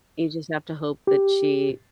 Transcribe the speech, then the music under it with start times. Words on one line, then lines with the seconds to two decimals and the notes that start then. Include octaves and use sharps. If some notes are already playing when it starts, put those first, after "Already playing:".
you just have to hope that she,
1.07 G4